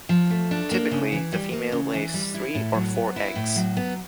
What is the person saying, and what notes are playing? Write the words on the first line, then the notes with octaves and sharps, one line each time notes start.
Typically, the female lays three or four eggs.
F3
A3
D4
A#3
C#3
E3
G3
A#3
C#3
E3
G3
E4
A2
F#3
B3
E4
A2
F#3
B3